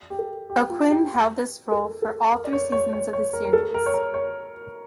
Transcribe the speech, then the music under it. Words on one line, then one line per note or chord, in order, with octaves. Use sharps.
O'Quinn held this role for all three seasons of the series.
G4
A4
G4
F4
G4
A4
A4
A#4
D5
C#5
C#5
C#5
C#5
A#4
A#4
A4
A#4
C#5
A#4
C#5